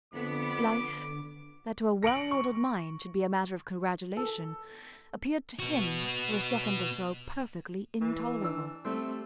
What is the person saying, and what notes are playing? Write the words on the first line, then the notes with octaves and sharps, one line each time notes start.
Life, that to a well-ordered mind should be a matter of congratulation, appeared to him, for a second or so, perfectly intolerable.
F2 D3 B3 D6
A#6 C#7 D7 F#7
C#6
A4
B3 F#4
E3
D4 E6
G3 A3 C4